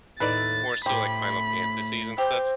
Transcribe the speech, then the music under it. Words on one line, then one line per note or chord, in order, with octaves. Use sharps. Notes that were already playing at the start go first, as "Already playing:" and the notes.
more, so, like, Final Fantasies and stuff.
D#2 A2 D#4 B4 D5 A6
A2 G4 C5 B5
G4 C5